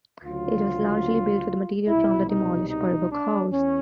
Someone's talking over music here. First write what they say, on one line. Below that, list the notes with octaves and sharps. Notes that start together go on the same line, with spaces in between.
It was largely built with material from the demolished Purbrook house.
D2 C#3 F#3 F4
C2 B2 G3 E4
D#4
D#4
D4
E2 C#4